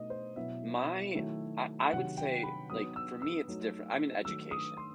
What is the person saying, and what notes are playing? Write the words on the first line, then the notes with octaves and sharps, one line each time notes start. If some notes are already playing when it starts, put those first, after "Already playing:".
my I I would say, like, for me it's different. I'm in education
Already playing: B2 A3 D#4 D#5
C5
B2 F#3 B3 E4 E5
D#3 F#3 A3 E4
C3 D#3 F#3 F#5
G5
B5
F#3 B3 D#4 D#6
E6
E6
F#3 A3 D#4
D#3 F#3 A3 E6
D#6
C6